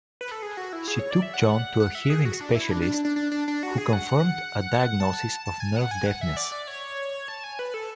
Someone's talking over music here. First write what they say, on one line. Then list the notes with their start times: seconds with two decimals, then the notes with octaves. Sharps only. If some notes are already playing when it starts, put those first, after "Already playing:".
She took John to a hearing specialist, who confirmed a diagnosis of nerve deafness.
0.21 B4
0.31 A4
0.43 G#4
0.57 F#4
0.73 E4
0.88 G#4
0.99 C#5
1.11 D5
1.22 E5
1.34 F#5
1.80 F#5
1.95 E5
2.10 G#4
2.25 F#4
2.41 D4
2.55 E4
2.71 D4
2.82 D4
2.94 D4
3.05 D4
3.16 D4
3.32 D4
3.48 D4
3.63 F#4
3.78 G#4
3.93 F#5
5.00 A5
5.46 A5
5.60 G#5
5.76 F#5
5.91 G#5
6.06 F#5
6.21 E5
6.37 D5
6.52 D5
6.67 C#5
7.28 A5
7.44 G#5
7.59 B4
7.74 A4